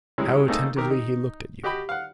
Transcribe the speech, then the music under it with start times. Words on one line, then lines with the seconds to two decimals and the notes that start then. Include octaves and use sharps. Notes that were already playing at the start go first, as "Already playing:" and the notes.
"How attentively he looked at you."
0.18 C3 G3 G#3 C#4 E4
0.48 A3 A#3 C4 D#4 G#4 A4
0.76 C3 D#3 G4 A#4
0.90 D#4
1.63 F#4 G4 D#5 G5 B5
1.89 F5 F#5